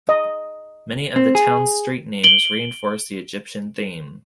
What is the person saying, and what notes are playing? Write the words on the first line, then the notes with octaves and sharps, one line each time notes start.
Many of the town's street names reinforce the "Egyptian" theme.
D#5
C4
G#4
D7 F#7 G7